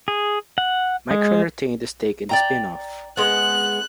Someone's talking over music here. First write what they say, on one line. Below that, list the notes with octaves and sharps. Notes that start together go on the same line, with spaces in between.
Micron retained a stake in the spinoff.
G#4
F#5
G#3
D5 G5 A#5
G#3 B3 F#6